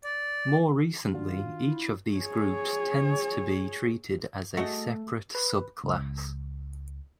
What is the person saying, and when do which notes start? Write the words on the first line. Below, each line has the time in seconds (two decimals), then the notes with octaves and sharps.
More recently each of these groups tends to be treated as a separate subclass.
0.04 D5
1.14 D#3 D4 F4 F#4 F5
1.66 E4
2.15 G#4 C#5
4.57 A3 F#4 G#4 D#5
5.35 B4
5.84 C#2